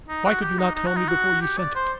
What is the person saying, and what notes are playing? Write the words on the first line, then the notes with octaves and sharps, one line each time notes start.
Why could you not tell me before you sent it?
D#4
F#4
G4
D#4
D#4
F#4
D#4
F#4
G4
D5
C5